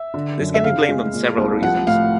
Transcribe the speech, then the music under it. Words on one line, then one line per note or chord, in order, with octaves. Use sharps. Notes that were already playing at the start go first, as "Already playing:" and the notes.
This can be blamed on several reasons.
Already playing: E5
D3
F#2
E5
C#3 F5
G#3
A#2
C2
F3 F#5
A2 F5